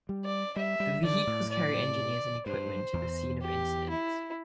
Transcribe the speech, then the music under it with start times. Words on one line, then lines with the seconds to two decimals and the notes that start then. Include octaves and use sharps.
The vehicles carry engineers and equipment to the scene of incidents.
0.09 G3
0.25 D5
0.56 G3 E5
0.80 G3
1.04 D3 D5
1.27 A2
1.51 D5
2.46 G2 C5
2.93 E2
3.41 G4
3.89 E4